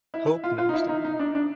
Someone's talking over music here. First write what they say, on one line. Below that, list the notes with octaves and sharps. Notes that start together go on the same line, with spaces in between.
Hope and understanding,
E4
F4
F4
D#4
E4
D#4
D#4
D4
D4